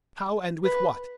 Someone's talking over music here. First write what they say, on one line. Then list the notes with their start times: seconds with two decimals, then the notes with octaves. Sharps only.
How, and with what?
0.65 B4